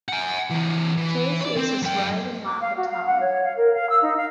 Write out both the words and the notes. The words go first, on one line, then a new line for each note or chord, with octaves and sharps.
Kati is a thriving market town.
F#5 G#5
E3 C4
E3
C#5 D5
C4
F#2 G5
D6
F5
F#4
F5
F#5
C#5
F5
A#4
F5
E6
D#4
F5